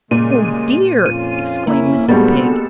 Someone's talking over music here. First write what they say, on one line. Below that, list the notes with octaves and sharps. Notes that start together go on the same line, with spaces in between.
"Oh dear!" exclaimed Mrs. Pig.
A#2 C#3 G3 G#3 D#7
F2 C#4 F4 D#7
F2 A#3 C#4 E4
A#2 G3 G#3 B3 C4 D4 F#4 A4